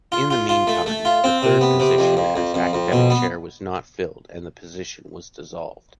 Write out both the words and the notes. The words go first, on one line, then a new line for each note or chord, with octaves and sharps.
In the meantime, the third position as academic chair was not filled and the position was dissolved.
F4
F4
F4
A3
A3
F4
C4
C3
B3
C3
F2
F2
F2
F2
F2
B2
B3